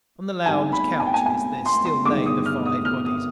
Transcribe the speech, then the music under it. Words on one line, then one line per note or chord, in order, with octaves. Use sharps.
On the lounge couches there still lay the five bodies.
G#2 G3 C4 D#4 G#5
B5
G#5
G5
G#5
G#5
C6
C6
G1 G2 D#3 G#3 D6
D#6
F6
D#6
F6
D#6